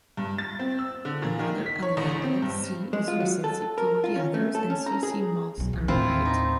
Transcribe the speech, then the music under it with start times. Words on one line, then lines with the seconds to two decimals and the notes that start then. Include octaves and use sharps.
Another allele, "c", is recessive to all the others, and cc moths are light.
0.17 G2
0.38 A6
0.59 C4
0.79 E6
1.05 D3
1.22 A#2
1.39 D#3
1.66 B6
1.82 C#5
1.97 A1
2.23 C4
2.42 G2
2.93 G#3
3.08 F4
3.20 F#3
3.44 A4
3.78 A#4
4.04 F4
4.16 C#4
4.34 A3
4.55 A4
4.70 C#4
4.86 A#5
5.03 G#4
5.58 B1 F#3
5.72 C3 F3
5.88 D#2 A2 C4 E4 F4
6.25 D#4